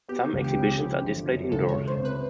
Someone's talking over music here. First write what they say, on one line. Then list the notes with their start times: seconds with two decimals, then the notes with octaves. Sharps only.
Some exhibitions are displayed indoors.
0.08 B3 G4
0.33 C#2
0.44 G4
0.56 C#3
0.80 F3
1.04 G1
1.27 F#2
1.52 C#2 A4
1.69 C#5
1.75 C#2
1.87 C5
1.99 C3
2.05 B4